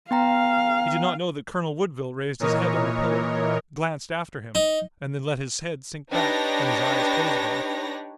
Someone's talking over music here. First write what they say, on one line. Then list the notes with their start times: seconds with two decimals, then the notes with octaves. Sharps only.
He did not know that Colonel Woodville raised his head on the pillow, glanced after him, and then let his head sink back and his eyes close again.
0.11 B3 F5 G5 A#5
2.39 A#2 E3 A#4 C#5 D#5
4.55 D#4
6.12 D4 D#4 G4 B4 C#5 A#6